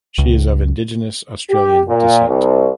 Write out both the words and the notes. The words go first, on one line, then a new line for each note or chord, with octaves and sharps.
She is of Indigenous Australian descent.
C#2
G4
A#2
C2